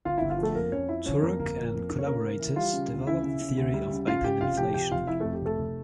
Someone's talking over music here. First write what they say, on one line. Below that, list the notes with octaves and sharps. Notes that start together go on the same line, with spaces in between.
Turok and collaborators developed the theory of open inflation.
G1 F4 F5
G1 E4 E5
F4 F5
F3 A3 A4
F2 A#3 A#4
F2 C#4 C#5
F3 E4 E5
F3 C#4 C#5
F2 A#3 A#4
G1 A#3 A#4
F3
F2
D3
C#5
C#3 A#3 A#4
C#3
E3
G3 F4 F5
C#3
D2
C#3 E4 E5
C#3
C#3
D2
G3
C#3
C#3 F4 F5
C#3 G4 G5
F1 F4 F5
F3 G4 G5
F1 G4 G5
F1 F4 F5
F3 E4 E5
F2 A3 A4
G4
F1 A3 A4
F1